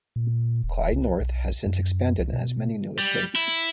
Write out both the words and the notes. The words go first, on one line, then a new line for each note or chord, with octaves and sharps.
Clyde North has since expanded and has many new estates.
A#2
D#1
C2
B1
F#2
C2
B2
G3
E4